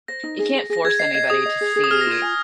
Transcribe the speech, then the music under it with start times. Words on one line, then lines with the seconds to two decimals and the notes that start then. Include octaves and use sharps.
you can't force anybody to see
0.08 C5 A#6
0.23 D#4
0.39 G#4
0.54 G#4
0.70 G#4 A#6
0.84 G#4 G#6
0.99 D#5 C7
1.14 D#5 G#6
1.30 G#4 D#6
1.45 D#5
1.61 G#4
1.76 G#4
1.84 D#6
1.91 G#4 F6
2.01 A#6
2.07 F4 G#6
2.22 G#5